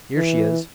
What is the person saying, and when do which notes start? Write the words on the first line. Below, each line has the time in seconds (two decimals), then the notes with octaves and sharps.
Here she is.
0.17 E3